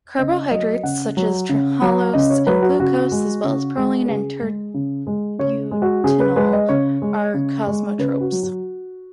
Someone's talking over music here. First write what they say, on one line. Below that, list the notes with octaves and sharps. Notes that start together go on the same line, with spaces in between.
Carbohydrates such as trehalose and glucose, as well as proline and "tert"-butanol, are kosmotropes.
C#3 D#5
F#3 D#5
C#3 F#5
F#3
C#3
F#3
C#3 D#5
C#5
F#3 B4
F#4
C#3 F#4
G#3
C#3
G#3
B4
C#3 G#4
G#3
C#3
G#3
C#3 C#5
G#3
F#4
C#3 G#4
B4
G#3 B4
D#5
C#3 C#5
G#3
C#3
G#3
C#3 B4
F#4
F#3
F#4